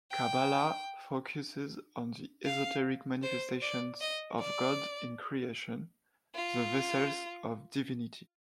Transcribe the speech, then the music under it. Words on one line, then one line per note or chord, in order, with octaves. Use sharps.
Kabbalah focuses on the esoteric manifestations of God in Creation, the vessels of Divinity.
G5
F5
C5
D5
D#5
D5
F4